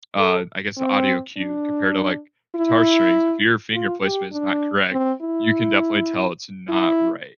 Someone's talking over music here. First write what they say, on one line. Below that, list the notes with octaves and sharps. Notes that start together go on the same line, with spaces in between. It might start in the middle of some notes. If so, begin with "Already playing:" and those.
uh, I guess, the audio cue compared to, like, guitar strings, if your finger placement is not correct, you can definitely tell it's not right,
A4
C4
D4
E4
F4
G4
D4
C4
E4
E4